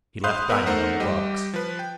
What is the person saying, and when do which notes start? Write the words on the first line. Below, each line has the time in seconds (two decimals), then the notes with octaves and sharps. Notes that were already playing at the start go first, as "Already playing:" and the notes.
He left Diamond on the box.
0.24 F5 B5 C6 D#6 F#6 G6
0.49 B3 A#4 B4 A#5 B5
0.66 A3 D#4 A#4 C5 F#5
1.00 G3 G4 D#5
1.54 F3 B4
1.79 G5